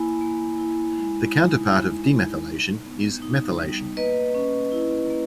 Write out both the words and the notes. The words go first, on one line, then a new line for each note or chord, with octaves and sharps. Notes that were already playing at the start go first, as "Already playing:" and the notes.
The counterpart of demethylation is methylation.
Already playing: A#3 E4 G#5 B5
A#3
E4
G#3
D#4
G#3
D#4
G3
B3
D#4
G3
A#3 B4 D#5
C#4
E4
A#3